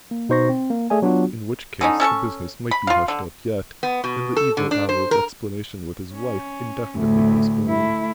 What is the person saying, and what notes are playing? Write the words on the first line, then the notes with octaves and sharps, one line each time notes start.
In which case the business might be hushed up yet, and the evil hour of explanation with his wife indefinitely postponed.
A#3
B2 D#4 C5 C#6 A#6
C4
A#3
A3 G#4 D5 G#5
F#3 B3 D4 F4 F#4
D3 C#4 D#4
C#4 A4 G5 C#6
B5
F4 F5
D3
B3
B2
A4
D3
D4
C5
A#4
C#4
D2 A2
A3 E4